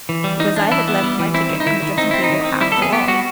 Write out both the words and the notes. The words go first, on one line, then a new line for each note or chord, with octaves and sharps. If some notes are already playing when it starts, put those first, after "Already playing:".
Because I had left my ticket on the dressing-table after all.
E3
G3
E3 D#4
D4
E3 E4
B3
G3
E3
C4 E4
D#3
D#4
D#3 E4
D#3
C4 D#4
C4 E4
D#4
D#3
C4
G3 E4
A4
B3 G#4
B3 G4
G3 F#4